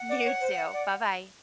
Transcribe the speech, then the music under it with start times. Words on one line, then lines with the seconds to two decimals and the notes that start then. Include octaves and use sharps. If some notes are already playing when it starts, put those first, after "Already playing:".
you too, bye-bye.
Already playing: F#5
0.09 D5
0.25 C#5
0.41 C5
0.73 D5